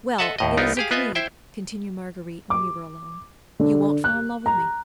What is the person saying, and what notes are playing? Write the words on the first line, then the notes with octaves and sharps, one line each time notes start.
"Well, it is agreed," continued Marguerite, when we were alone, "you won't fall in love with me?"
A4 D#5 E5 F#5 A5
D#2 A2 D#5
C2 B3 D#4 F4 A#4
G4 G#4 F5
B3 F4 B4 D#5 E5 G#5
E4 C5 E5 G5
D6
D3
F#6
A#5